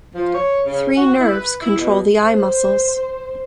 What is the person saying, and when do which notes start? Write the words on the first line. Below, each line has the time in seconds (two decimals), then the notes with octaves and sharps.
Three nerves control the eye muscles.
0.15 F3
0.34 C#5
0.66 C#3
0.96 F#4
1.19 E4
1.31 B4
1.61 E4
1.79 B2
2.19 C5